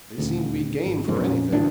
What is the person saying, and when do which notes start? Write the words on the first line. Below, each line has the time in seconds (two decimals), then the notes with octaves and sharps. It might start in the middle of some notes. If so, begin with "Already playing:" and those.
They seem to be game for anything.
0.18 D#1 D2
0.86 G#1
1.08 F2 G#2 C#3
1.20 F2 A#2 F3 C#4
1.52 A1 D2 A2 D4